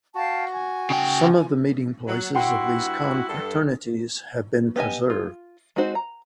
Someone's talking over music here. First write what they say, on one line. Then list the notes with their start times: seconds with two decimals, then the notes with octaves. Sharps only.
Some of the meeting places of these confraternities have been preserved.
0.15 F#4 F5 G5 A5
0.52 G#5
0.90 C#3 G5
2.07 F#3
2.35 G2 E4 F#4 F#5 G5 C6
3.29 G2 A4
4.76 B3 G4 D#5 G#5
5.10 F4
5.76 G#3 C4 D#4 F#4 C5
5.95 A#5